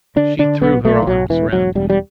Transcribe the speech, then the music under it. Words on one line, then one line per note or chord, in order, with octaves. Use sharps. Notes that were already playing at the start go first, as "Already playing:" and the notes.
She threw her arms round him.
D3 D4
D3 D4
B1 B3
B1 A3
E3
B1 F#3
E1 E3
E1 F#3
E1 G3
G3